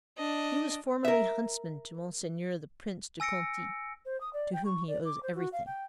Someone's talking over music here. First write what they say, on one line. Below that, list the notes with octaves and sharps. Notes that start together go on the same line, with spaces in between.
He was formerly huntsman to Monseigneur the Prince de Conti, to whom he owes everything.
D4 D#5
A#4 E5
G#5 E6 A#6 C#7 D7
C5
D#6
D5
G5
C#6
D5
D6
C5
F#4
F5
G5